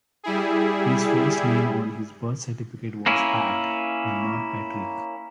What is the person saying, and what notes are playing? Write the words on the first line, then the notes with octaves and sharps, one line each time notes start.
His first name on his birth certificate was Pat and not Patrick.
G3 E4 G#4
A#3 C#4 E4